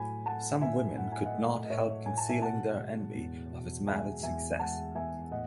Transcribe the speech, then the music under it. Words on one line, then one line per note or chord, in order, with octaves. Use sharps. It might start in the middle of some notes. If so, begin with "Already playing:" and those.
Some women could not help concealing their envy of his marriage success.
Already playing: A2 F#3 G#5 B5
A3 F#5 A5
A2 E5 G#5
A2 F#5
G#5
D#5 F#5
A3
D#5
A2 C#5 E5
A2 G#5
A5
E5 G#5
B2 F#5 A5
G#3
E2
B2
G#3 E5 G#5
E2 E5 G#5
G#3 F#5 A5
E2 E5 G#5
A2 D#5 F#5